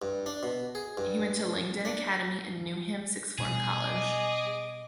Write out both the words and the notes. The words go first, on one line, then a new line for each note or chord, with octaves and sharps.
He went to Langdon Academy and Newham Sixth Form College.
G2
D4
B2
G#4
G2
D4
B2 G3 G#4
D#5 D6